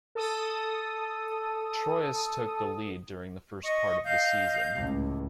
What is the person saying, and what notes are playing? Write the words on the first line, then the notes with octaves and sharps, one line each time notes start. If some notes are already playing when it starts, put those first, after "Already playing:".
Troyes took the lead during the first part of the season.
A4 D#6
D#5 C#6
D#5 F5 G6
C#2 A2